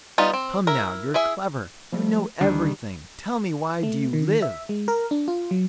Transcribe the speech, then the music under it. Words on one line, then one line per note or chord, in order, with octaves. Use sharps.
Come, now, you're clever, you know everything--tell me, why do you live?
G3 B3 D#4 F4
C4
E4 A#4
E4 G#4 E5
F3 G3 A3
D2 D#3 G3 D4
A3
D#3
E5
G#3
A#4
D4
F4
F#3